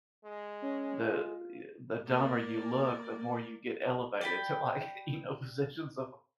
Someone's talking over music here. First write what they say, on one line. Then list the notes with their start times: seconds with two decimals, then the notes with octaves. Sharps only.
the, yu the dumber you look, the more you get elevated to, like, you know, positions of,
0.24 G#3
0.62 C#4
1.08 F4
2.06 A#3 D5
4.21 D5 G5 B5